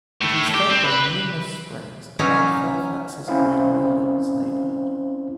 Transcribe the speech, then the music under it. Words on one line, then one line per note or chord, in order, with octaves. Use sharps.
It is fed by numerous springs around Fairfax's Greenway Hills neighborhood.
A2
G4
C4
B4
E3 F#3 A#3 C#4 D#4 E4
C4 C#4 E4 C5 F5